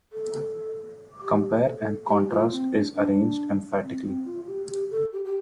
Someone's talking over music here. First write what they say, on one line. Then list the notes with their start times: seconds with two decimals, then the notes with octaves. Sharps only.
Compare and contrast is arranged emphatically.
0.13 A4
1.21 G4
1.64 C5
1.69 A4
2.08 G4
2.30 F4
2.51 C4
2.73 D4
2.95 D4
3.82 C4
4.04 C4
4.25 F4
4.47 G4
4.69 G4
4.91 A4
5.13 G4
5.25 G4